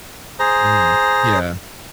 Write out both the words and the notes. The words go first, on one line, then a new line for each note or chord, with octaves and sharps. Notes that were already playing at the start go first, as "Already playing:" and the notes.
Mhm, yeah.
G#4 C5 A#5